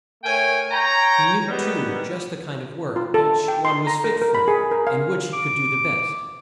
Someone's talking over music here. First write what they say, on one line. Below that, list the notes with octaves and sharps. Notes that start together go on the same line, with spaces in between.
He knew, too, just the kind of work each one was fit for, and which he could do the best.
A3 A#4 C#5 G5 G#5
C#5 G5 A#5
D#3 G3 G#3 B3
F4
A4
G5
C6
A#5
A#4
A#4
B5
G#4
A#4
F5
D6